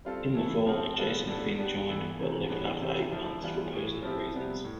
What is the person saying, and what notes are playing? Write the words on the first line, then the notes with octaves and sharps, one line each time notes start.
In the fall, Jason Finn joined, but left after eight months for personal reasons.
G3 C4 F4 A4
E3 A3 E4 A4
F3 C4 F4 A4
G3 B3 F4 A4
A2 G3 B3 D4 A4
G3 B3 D4 G4
E3 B3 E4 A4
C3 E3 A3
A2 E3 G3 B3 D4
C3 E3 A3 E4 G4
D3 F3 A3 E4
E3 G3 B3 F4
A2 E3 A3
F3 C4 E4 G4
C3 G3 B3
A2